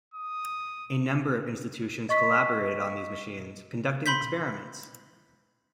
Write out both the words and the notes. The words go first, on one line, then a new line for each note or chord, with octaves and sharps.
A number of institutions collaborated on these machines, conducting experiments.
D#6
D#5 C#6 B6
B5 C6 G6 B6